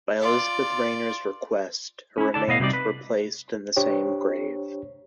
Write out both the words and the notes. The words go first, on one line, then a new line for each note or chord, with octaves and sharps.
By Elizabeth Rayner's request, her remains were placed in the same grave.
F4 D5
C#4 E4
D3 D5 A5
B2 B3 D#5 F5
C3 G3 D#4 D5
B4
D4 G4 C5 C#5